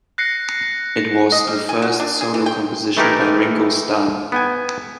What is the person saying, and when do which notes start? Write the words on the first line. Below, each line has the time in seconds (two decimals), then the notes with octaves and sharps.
It was the first solo composition by Ringo Starr.
0.18 F#6 A#6 C7 C#7
1.32 D#5
1.47 G3
1.69 G#5
1.82 F#4
2.00 D4
2.21 G#4
2.34 E3
2.46 G5
2.97 E3 A3 D#4 G4 G#4 A#4
4.32 B3 G5 G#5